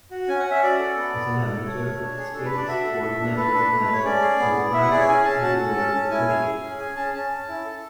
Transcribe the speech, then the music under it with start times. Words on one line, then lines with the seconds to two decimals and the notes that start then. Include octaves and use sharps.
As an amateur, Spinks won numerous medals in the light heavyweight division.
0.11 F#4
0.28 C#4 G#5
0.39 F#5
0.45 C#4
0.51 E5
0.62 F#4 D5
0.79 A4
0.97 B3
1.14 B3
1.31 F#4
1.48 A4
1.65 A3 C#5
1.82 A3
2.00 D4
2.17 G#4
2.34 D4 A4
2.45 B4
2.51 D4
2.57 D5
2.68 F#4 E5
2.85 A4
3.03 A4
3.19 D4
3.36 A4 B4
3.54 D4
3.71 A3
3.82 B4
3.88 A3
3.94 C#5
4.05 C#4 D5
4.22 G#4
4.39 B3
4.56 B3
4.74 E4 E5
4.82 F#5
4.91 G#4 D5
5.00 C#5
5.08 C#4 G#5
5.25 C#4 A5
5.42 F#4 A5
5.59 A4
5.76 C#4
5.94 C#4
6.11 E4 G#5
6.28 G#4
6.46 G#4
6.62 C#4
6.80 G#4 G#5
6.96 C#4 A5
7.13 C#4 A5
7.30 C#4
7.48 E4
7.65 A4